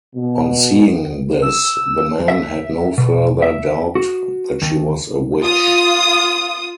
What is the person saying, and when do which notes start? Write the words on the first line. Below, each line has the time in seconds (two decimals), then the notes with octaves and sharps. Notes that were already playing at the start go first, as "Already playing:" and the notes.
On seeing this the men had no further doubt that she was a witch.
0.16 B2
1.42 E6
2.28 E5
2.98 B2
3.42 E5
3.95 F#4
4.62 D#2
5.43 F4 D#6